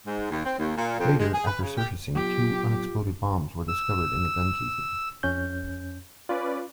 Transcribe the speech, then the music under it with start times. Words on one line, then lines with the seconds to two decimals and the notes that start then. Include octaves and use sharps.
Later, after surfacing, two unexploded bombs were discovered in the gun-casing.
0.07 G#2
0.31 D#2
0.45 C4
0.58 D#2
0.77 A#2
0.98 F2
1.19 G#3
1.33 G#4
1.47 B4
1.61 C#3
1.77 G4
2.16 F#3 B3 F4 G4
3.68 E6
5.23 F2 C#4 G6
6.29 C#4 F4 B4 D5